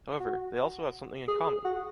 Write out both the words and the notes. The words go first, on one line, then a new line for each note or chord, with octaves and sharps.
However, they also have something in common.
F#4
G#4
G#4
F#4